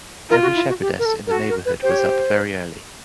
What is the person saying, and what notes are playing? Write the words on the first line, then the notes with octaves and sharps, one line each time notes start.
Every shepherdess in the neighborhood was up very early.
F4 A#4
F#4
E4
F#4
G4
A#4
A4
A#4
F#4 A4
A#4
B4
G4 C5
C#5
C5